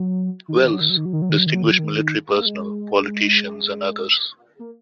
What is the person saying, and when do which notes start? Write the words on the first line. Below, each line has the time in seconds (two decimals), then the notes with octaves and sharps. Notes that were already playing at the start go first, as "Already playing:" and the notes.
Wells, distinguished military personnel, politicians, and others.
Already playing: F#3
0.48 D#3
0.57 F#3
0.65 D#3
0.73 F#3
0.81 D#3
0.90 F#3
0.97 D#3
1.05 F#3
1.13 D#3
1.22 F#3
1.30 D#3
1.38 F#3
1.46 D#3
1.54 F#3
1.63 D#3
1.71 F#3
1.79 D#3
2.30 G#3
2.37 A#3
2.46 G#3
4.59 A#3